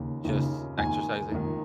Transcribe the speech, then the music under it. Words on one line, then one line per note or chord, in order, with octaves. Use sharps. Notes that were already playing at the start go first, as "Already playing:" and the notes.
just exercising.
Already playing: D#2 C#3
D#2 C#3
D#2 D#3 G#5
D#2 D#3